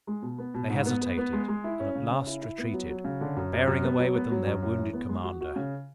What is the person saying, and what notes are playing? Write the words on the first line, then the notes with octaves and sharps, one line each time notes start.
They hesitated, and at last retreated, bearing away with them their wounded commander.
G#3
B2
B3
B2
G#2
B3
B3
B3
G#3
G#3
E4
C#4
C#3
C#3
E4
E4
B3
F#3
F#3
C#3
D3
F#2
F#2
F#2
B3
F#3
B3
F#3
F#2
F#2
E3
B3
G#3
F#4
F#4
C#3